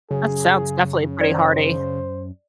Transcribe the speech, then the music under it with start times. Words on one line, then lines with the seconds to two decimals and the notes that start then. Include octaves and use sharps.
that sounds definitely pretty hearty.
0.11 F#2 C#3 G#4
1.21 C5 D5